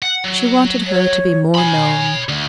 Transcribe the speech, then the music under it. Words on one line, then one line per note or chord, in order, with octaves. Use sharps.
She wanted her to be more known.
F#5
F#3
C#5
C#5 G#5 B5
D2